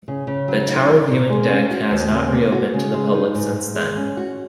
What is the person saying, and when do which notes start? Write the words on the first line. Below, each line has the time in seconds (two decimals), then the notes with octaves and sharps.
The tower viewing deck has not re-opened to the public since then.
0.08 C#3
0.27 C#3
0.48 F#3
0.68 D#4
0.90 A#4
1.10 A#2
1.29 G#3
1.50 C#4
1.71 F#4
1.91 D#2
2.11 C#3
2.32 A#3
2.52 F#4
2.74 C#3
2.94 G#3
3.14 D#4
3.35 G#2
3.55 G#2
3.75 G#3
3.97 C#4
4.17 F#4